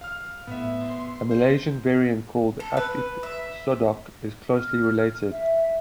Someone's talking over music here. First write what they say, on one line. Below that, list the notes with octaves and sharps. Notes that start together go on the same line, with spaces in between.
A Malaysian variant called Apit-sodok is closely related.
F5 F6
A2 B3 E5
C6
C5
A4
B4
E5
F6
E5